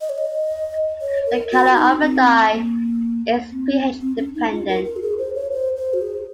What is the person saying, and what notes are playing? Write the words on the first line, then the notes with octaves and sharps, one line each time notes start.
The color of the dye is pH-dependent.
D#5
C#5
D#5
C#5
A#4
F#4
D#4
C4
A#3
C4
C4
C#4
D#4
F4
A#4
A#4
F#4
G#4
C5
C#5
C5
C5
F#4
G#4